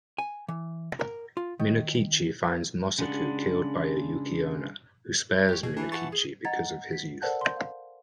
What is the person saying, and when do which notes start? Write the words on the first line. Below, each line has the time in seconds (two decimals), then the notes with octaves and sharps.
Minokichi finds Mosaku killed by a Yuki-onna, who spares Minokichi because of his youth.
0.18 G#5
0.48 E3
1.00 A#4
1.37 F4
1.59 D#3
2.99 C#3 G#3 D4 F#5
5.48 G4 C#5
5.63 B2 G#4
5.77 E3 D4
5.92 F#5 A5 C#6 A6
6.12 G#4
6.45 D#5 F#5 A#5 G#6 A6
6.93 B6
7.22 A4 A#4 C5 D5 F#5 A5
7.41 C6 G6
7.56 F5